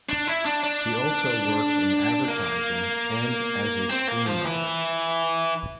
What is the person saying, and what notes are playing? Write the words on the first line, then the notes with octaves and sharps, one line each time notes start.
He also worked in advertising and as a screenwriter.
D4
E4
D4
D4
A#3
C4
A#3
F3
E3